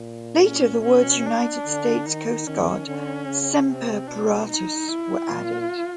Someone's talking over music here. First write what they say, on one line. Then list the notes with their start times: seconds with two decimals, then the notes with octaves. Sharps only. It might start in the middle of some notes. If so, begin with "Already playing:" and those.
Later, the words, "United States Coast Guard-- Semper Paratus" were added.
Already playing: A#2
0.45 C#4
0.85 B2 C#4
1.25 D4
1.66 D3
2.06 D#3 D#4
2.47 D#3 C#4
2.87 D3
3.28 C#3
3.67 C3 C4
4.07 B2 D4
4.48 D#4
4.88 E4
5.29 A#2 F4